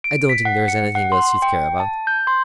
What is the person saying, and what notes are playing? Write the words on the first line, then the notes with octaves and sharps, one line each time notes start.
I don't think there is anything else you'd care about.
D7
B6
F#5
C#7
F#5
C6
G5
A5
G6
C6